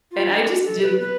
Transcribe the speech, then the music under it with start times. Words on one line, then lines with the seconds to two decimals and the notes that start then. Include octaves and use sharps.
And I just didn't
0.11 F4
0.29 D4
0.64 A4
0.83 B4
1.01 B4